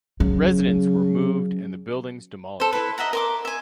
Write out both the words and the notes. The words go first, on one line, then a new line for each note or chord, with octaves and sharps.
Residents were moved and the buildings demolished.
C#3 F#3
A4 C5
E4 B4
D#5 E5 F#5 A#5
A#4 C6 D6
E5 G#5